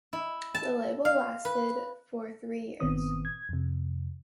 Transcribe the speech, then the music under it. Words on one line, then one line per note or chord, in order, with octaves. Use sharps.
The label lasted for three years.
E4
A5
F5
B4
G1 A#2 D#3 B3 C4 D#6
G#6
F2 C3